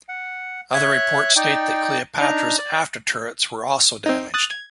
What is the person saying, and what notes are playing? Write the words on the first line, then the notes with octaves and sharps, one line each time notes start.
Other reports state that "Cleopatra's" after turrets were also damaged.
F#5
C#5 E5 F#6
D#4 D5 G5
D4 D#4 A#5
D5
C4 D#4
D#6 F#6 A6
G#6